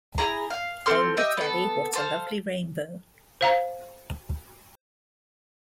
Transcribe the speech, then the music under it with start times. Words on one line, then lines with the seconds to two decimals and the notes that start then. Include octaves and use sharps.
Oh, look, Ellie, what a lovely rainbow!
0.18 E4 G#4 A#5
0.50 F5
0.86 C4 A4 C6 F6
1.17 G4 D#5 E5
1.37 B3 A4
1.93 A4 C5 F5
3.41 C5 F5 A#5